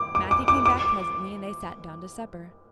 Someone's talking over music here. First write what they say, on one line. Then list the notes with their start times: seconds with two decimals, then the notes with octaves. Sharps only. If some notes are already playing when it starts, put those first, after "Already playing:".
Matthew came back presently and they sat down to supper.
Already playing: D6
0.15 D6
0.31 D6
0.48 D6
0.66 D6